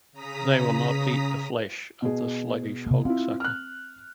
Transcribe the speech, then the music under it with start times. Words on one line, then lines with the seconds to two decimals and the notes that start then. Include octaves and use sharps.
They will not eat the flesh of the sluggish hog-sucker.
0.12 C#3 A#5 D#6 B6
2.02 B2 G#4
2.86 C3 A#3
3.05 C4 E4 F4
3.40 F6 F#6